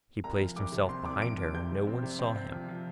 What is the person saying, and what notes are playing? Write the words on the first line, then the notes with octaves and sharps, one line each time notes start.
He placed himself behind her, and no one saw him.
C2 A#5
F3
C2 D6
C3
C4 C6
C2 D6
F3 D7
F3
C3 G6
C3
C4
C3
C4
C4
F3
F3